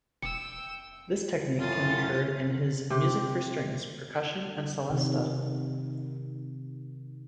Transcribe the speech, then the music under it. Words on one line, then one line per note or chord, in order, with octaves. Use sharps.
This technique can be heard in his "Music for Strings, Percussion and Celesta".
E1 G5 E6 C#7
F#2 A2 F4 D#6 A6
C3 G4
C3 D#3